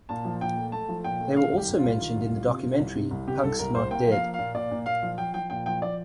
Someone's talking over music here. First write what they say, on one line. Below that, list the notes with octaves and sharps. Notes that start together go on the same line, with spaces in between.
They were also mentioned in the documentary "Punk's Not Dead".
A#2 A5
F3
A#2 G5
A3
A3 A5
F3
A#2 G5
A3
D#3 F5
C2
G4
C2
F4
C2
D#3
C2
C2
C3
C3
C2
C3
C2
C3 G4
C2 A4
C2 A#4
C2 C5
A#3 G5
F3 F5
A#3
A#2 F5
A#2 D5
A#2
A#2 F5
F3
F3 G5
F3 G5
A#2 G5
F3 G5
F3 D5